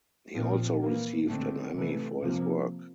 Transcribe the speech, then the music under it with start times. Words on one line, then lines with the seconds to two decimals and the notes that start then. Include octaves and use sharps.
He also received an Emmy for his work.
0.34 A#2 F3 C4
0.81 E3 A#3
1.28 D3 A3 C4
1.74 C3 E3 A3
2.22 C3 F3 A#3